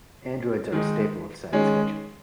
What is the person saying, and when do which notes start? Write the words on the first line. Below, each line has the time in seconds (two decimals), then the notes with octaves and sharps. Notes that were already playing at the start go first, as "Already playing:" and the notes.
Androids are a staple of science fiction.
0.72 D#3 G#3 D#4
1.52 D#3 G#3 C#4